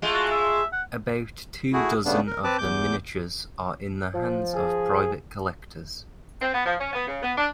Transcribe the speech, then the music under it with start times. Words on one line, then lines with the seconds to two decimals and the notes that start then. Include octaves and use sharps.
About two dozen of the miniatures are in the hands of private collectors.
0.02 G#3 A3 F4
0.14 F#4
0.31 E5
0.73 F#5
1.73 A3 E4 F#4 G#4
2.05 C#3 G3 A3 B3 D4
2.27 A#4
2.44 C4 B4 A5 D6
2.58 E2 D6 G6
4.14 F3
4.54 G#4
6.42 C4
6.54 B3
6.66 F3
6.80 C#4
6.93 B3
7.07 C#3
7.23 B3
7.38 D4